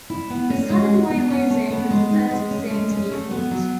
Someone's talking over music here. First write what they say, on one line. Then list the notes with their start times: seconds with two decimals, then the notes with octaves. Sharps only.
The Southern Railway zone was the first zone to be formed.
0.10 E4
0.30 B3
0.50 C#4
0.70 G#3
0.90 F#4
1.10 B3
1.30 C#4
1.51 A3
1.70 B3
1.91 G#3
2.11 D#4
2.31 G#3
2.51 C#4
2.71 G#3
2.91 C#4
3.11 A3
3.31 B3
3.51 F#3